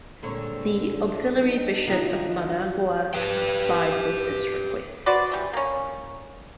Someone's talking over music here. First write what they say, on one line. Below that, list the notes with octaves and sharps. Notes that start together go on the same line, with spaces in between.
The auxiliary Bishop of Managua complied with this request.
A#2 D3 G3 G#3 C4 C#5
F3 D4
D4 D#4
D#3 F3 F#3
G4 B4 G5
F#4 B4 C5 D5
E3 G3
A#3 C#4